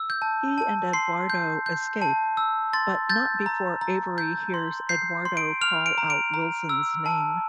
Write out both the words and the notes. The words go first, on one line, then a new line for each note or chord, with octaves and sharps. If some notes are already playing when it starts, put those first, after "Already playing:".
He and Eduardo escape, but not before Avery hears Eduardo call out Wilson's name.
Already playing: E6
G6
A5
A5
C6 C7
G6
G6
A5
E6
C6 A6
G6 A6
A#5
A#5
G6
C6
G6 C7
C6
D7
F6 F7
D7
A#5
D7
A#5
E6
A5